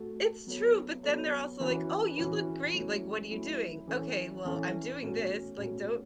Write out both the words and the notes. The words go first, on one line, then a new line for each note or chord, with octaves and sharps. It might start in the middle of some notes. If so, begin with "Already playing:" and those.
It's true, but then they're also like, "Oh, you look great, "like, "What are you doing?" "Okay, well, I'm doing this," like, "don't,
Already playing: A3 F#4 A4
F#3 B3 A4 C#5
F#3 B3 A4 C#5
E3 C#4 F#4 B4
E3 C#4 F#4 B4
F#3 A3 C#4 E4
F#3 A3 C#4 E4
E3 C#4 A4
E3 C#4 A4
B2 A3 C#4 F#4 C#5
B2 A3 C#4 F#4 C#5